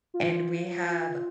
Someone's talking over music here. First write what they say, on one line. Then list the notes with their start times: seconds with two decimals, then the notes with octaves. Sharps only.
and we have
0.14 F4
0.90 F4